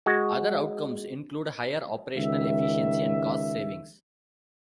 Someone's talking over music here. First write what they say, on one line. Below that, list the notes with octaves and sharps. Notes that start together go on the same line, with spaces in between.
Other outcomes include higher operational efficiency and cost savings.
G#3 F#4
C#2 D#3 E5